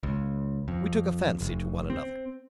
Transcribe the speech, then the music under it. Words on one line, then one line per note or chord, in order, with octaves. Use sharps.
We took a fancy to one another.
C#2
F2
F1
C4